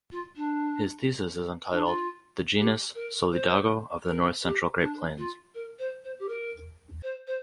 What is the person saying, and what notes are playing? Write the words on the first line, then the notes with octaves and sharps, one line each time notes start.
His thesis is entitled "The genus "Solidago" of the north central Great Plains".
F4
D4
D4
F4
G4
A#4
C5
A#4
G4
D4
F4
A#4
C5
C5
G4
A#4
C5
C5